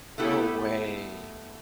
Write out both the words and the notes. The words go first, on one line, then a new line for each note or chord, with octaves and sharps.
No way.
A3 B3 E4 G4 A4